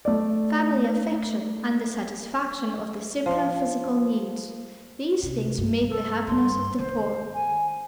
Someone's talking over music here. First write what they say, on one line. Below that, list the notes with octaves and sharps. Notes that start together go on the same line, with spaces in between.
Family affection--and the satisfaction of the simpler physical needs--these things make the happiness of the poor.
A3 D5
F3
C3
G2
A4
G2 A#3 C6
D#3 D#4 C5
G#5